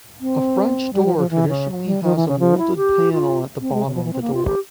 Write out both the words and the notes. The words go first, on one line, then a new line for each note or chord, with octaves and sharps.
A French door traditionally has a moulded panel at the bottom of the door.
C4
G3
F3
F3
E3
C#3
G3
F3
E3
C#3
F3
E4
G4
F4
C4
G#3
C#3
F3
E3
C4
A#3
F4
G4